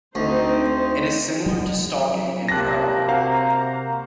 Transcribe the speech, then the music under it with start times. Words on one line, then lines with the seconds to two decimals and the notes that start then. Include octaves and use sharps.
It is similar to stalking and prowling.
0.15 D2 C4 D#4 C5
1.46 F#3
2.48 C3 A#3 C4 G4 A5 F#6 A#6
3.08 F#4 C5 F5 A#5